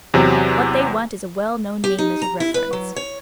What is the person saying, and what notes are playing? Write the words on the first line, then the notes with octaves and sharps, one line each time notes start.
What they want is a well-known name as a reference.
E2 C3 F#3
G4
D#4
A#5
E4
B4
F#3
C#5